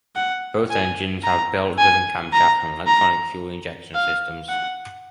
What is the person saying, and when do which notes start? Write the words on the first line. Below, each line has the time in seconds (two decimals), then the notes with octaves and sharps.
Both engines have belt driven camshafts and Electronic Fuel Injection systems.
0.16 F#5
0.71 G#5
1.24 A#5
1.79 G#5
2.33 A#5
2.87 A#5
3.95 F5
4.49 F#5